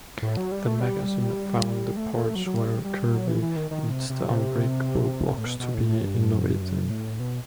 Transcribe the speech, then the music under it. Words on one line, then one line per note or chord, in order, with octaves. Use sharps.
The magazine found the parts where Kirby eats the unbreakable blocks to be innovative.
A2
F#3
G3
A3
G3
A3
A3
F#3
F#3
G3
G3
F#3
E3
E3
D#3
D#3
C3
C3
A2
B2
B2
A2
A2
G2
F#2
G2
F#2
A2
B2